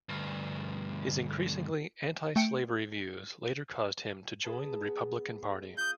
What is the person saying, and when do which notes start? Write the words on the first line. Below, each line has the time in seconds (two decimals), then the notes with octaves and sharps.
His increasingly antislavery views later caused him to join the Republican Party.
0.09 D2 G2
2.36 A3 G5 C#7 D7
4.44 G#4 B4 A5
4.84 B3
5.78 F4 D#6 G6